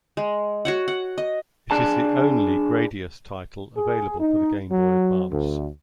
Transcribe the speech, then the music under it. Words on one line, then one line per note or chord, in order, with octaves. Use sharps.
It is the only "Gradius" title available for the Game Boy Advance.
G#3
F#4 C#5 F#5
F#5
D#5
D4 G#4 A5
G#4
D#4
F#3
D2